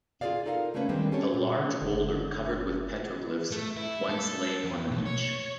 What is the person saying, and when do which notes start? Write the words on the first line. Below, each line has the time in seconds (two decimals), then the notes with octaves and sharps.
A large boulder covered with petroglyphs once lay on the beach.
0.21 F4 G#4 A4 C#5 D5 F5
0.46 D#4 A4 A#4 D5 F5
0.74 C#3 A3 A#3 C#4 B4
0.89 D#3 G3 G#3 C4 D4
1.12 G3 C#4 G4 A4 C#5
1.34 A#2
1.82 F#1 D3
3.52 A3
3.77 E4
4.09 A4
4.64 F2
4.91 B1
5.06 C#5